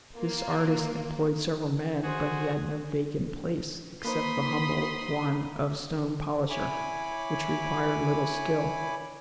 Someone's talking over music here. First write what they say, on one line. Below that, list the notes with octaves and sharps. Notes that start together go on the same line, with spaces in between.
This artist employed several men, but he had no vacant place except the humble one of stone polisher, which required little skill.
A#3 F4
F#4 G#4 C5
A#3 D#4 B4 C5 B5 C6 D#6 B6
E4 C#5 G#5 B5 D6